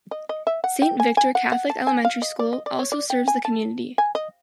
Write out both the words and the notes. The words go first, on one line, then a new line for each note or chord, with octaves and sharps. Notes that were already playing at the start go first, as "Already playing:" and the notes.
Saint Victor Catholic elementary school also serves the community.
D#5
D#5
E5
F#5
G5
G#5
G#5
F#5
F#5
A5
G#5
F5
D#5
D5
D#5
D5
C#5
D5
G5
G#5
A5
G#5
D#5